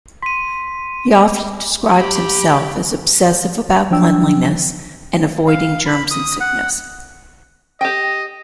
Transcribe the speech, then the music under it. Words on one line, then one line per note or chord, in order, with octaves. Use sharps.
He often describes himself as obsessive about cleanliness, and avoiding germs and sickness.
C6 B6 D#7
G4 B5
F3 F#3 D4 G5 E6
F5
B5
D#6
F#5
G4 D#5 G5